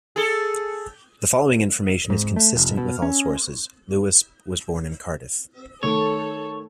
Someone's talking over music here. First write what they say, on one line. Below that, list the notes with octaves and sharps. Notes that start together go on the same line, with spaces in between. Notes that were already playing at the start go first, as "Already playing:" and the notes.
The following information is consistent with all sources: Lewis was born in Cardiff.
G#4 A4
G#2
A3
F1
B2
C#4
D#3 A3 A4 C#5